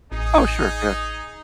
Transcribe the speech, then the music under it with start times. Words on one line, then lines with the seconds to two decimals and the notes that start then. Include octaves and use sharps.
Oh, sure, yeah.
0.12 A1 D#4 G#4